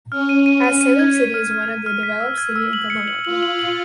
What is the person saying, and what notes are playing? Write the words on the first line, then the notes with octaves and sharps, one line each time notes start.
As Salem city is one of the developed city in Tamilnadu.
C#4 F6
D#7
D#7
C#4 D#7
D#7
G#6
B6
F6
F6
G#6
F6
B6
E6
G#6
E6
F#7
C#7
F#7
F4 F#7
F#7
F#7